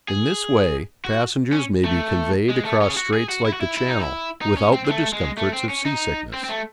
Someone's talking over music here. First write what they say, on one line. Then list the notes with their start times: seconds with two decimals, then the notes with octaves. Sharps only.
In this way passengers may be conveyed across straits like the Channel without the discomforts of sea-sickness.
0.08 G#4
1.05 F#4
1.52 C#4
1.85 A3
2.49 G#3
2.65 A3
2.81 C#4
2.90 G#4
2.97 F#4
3.13 G#4
3.29 F#4
3.45 E4
3.53 F#4
3.61 E4
3.77 E4
3.88 D#4
4.00 E4
4.42 D#4
4.57 C#4
4.73 C4
4.85 C4
4.89 A3
5.13 G#3
5.37 A3
5.53 C4
5.69 C#4
5.85 D#4
6.34 C4
6.44 C4
6.49 A3